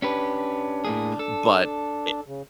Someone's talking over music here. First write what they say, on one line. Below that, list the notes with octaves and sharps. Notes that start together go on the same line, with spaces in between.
but i
C#4 D4 G4 B4
A2 A#3 G#4
A4
C#3